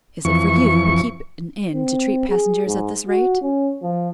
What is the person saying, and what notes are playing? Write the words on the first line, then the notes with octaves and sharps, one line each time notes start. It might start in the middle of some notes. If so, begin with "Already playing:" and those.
Is it for you, who keep an inn, to treat passengers at this rate?
F2 E3 C#6
C4
G#4
G#2
F#4
C#4
F3